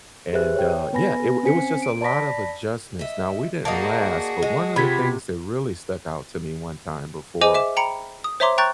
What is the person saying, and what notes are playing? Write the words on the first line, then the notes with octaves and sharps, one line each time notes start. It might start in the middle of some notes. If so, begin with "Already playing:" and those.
and, uh, yeah, it w it was just a lot of adjustments. Now, we didn't last, but one of the things that really stuck out to me one time before
G4 G#4 B4 C5 E5 F#6
C#5 G5
B3 B4 G#5 B5 A#6
C4 C#4 C5 G#5 B6 C#7
D7
D5 A5 B5 A#6 B6
D#5 E5
A#3 D#4 F#4 G#4 D5 D#5 F#5 A5
G#3
C3 F4 G4 B5 G#6 B6
G#4 C5 D#5 G#5 D6 D#7
E5 D6 E7
G5 A#5 B5 C#7
D#6
C5 C#5 E5 A#5 C6 D6
G5 A#5 C#6 F#6 G6 A6